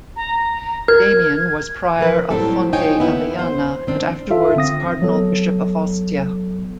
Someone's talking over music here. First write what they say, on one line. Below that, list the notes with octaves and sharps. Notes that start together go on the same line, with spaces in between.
Damian was prior of Fonte Avellana and afterward Cardinal-Bishop of Ostia.
A#5
A#4 F6 G#6
F3 A#4 B4
A2 F#3 G3 C4 A4
D#4 F4 C#5 G5 G#5
D#2 B3 E4
C5
D#3 C4 D4
F4 A4 E5 F5
D3 C4 D#6 A#6
F#3 B3 A4